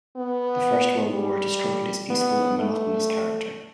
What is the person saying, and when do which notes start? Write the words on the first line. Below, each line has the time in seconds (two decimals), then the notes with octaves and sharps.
The First World War destroyed its peaceful and monotonous character.
0.16 B3
1.13 G3
2.11 B3
2.58 A3